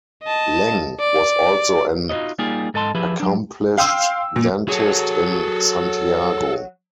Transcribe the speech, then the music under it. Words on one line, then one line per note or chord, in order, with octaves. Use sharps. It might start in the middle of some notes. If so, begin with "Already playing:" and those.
Leng was also an accomplished dentist in Santiago.
D#5 A5
D5
D#4 F4 F#4 B4 C#5 D#5
G3 A#3 D#4 F4 G4 G#4
G#2 A4 D#5 A5 C6
F3 E4 G4 G#4 B4
F#3 D4
F5 G5 C6 E6
A#2
F#3 G#4 A4